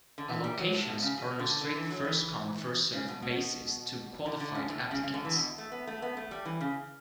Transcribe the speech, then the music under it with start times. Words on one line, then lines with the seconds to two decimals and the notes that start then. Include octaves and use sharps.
Allocations are on a strict first-come, first-served basis to qualified applicants.
0.18 D3
0.29 E3
0.44 G3
0.59 F#3
0.73 A2
0.87 B2
1.02 C#3
1.17 B2
1.39 D3
1.61 D3
1.76 E3
1.90 F#3
2.05 E3
2.93 C#3
3.08 B2
3.22 B2
4.26 D3
4.40 D3
4.55 C#3
4.69 A2
4.80 B2
4.91 C#3
5.03 C#3
5.14 D3
5.25 E3
5.36 B2
5.58 A3
5.72 B3
5.87 A3
6.02 B3
6.17 A3
6.31 G3
6.45 E3
6.60 C#3